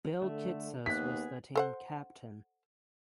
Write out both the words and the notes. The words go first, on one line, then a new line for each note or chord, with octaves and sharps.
Bill Kitsos was the team captain.
D3 A3
D#2 B3 G#4 F#6 B6
A4 C5 F#5